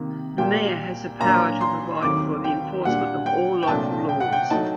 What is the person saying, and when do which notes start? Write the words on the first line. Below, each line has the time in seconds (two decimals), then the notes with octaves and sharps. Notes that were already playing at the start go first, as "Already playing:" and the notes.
The Mayor has the power to provide for the enforcement of all local laws.
Already playing: C3 D#3 A#3
0.38 A#2 G3 A#3 G5
1.20 A#2 F#3 A#3 D4 A#5
1.61 C6
2.02 D#2 D#3 F#3 A3 C4 D6
2.44 G5
2.85 A#2 G3 D4 F#5
3.26 G5
3.63 G5
3.67 C2 A#2 F#3 A3 D4 A5
4.09 G5
4.20 F#5
4.33 G5
4.50 F#3 A3 D#4 A5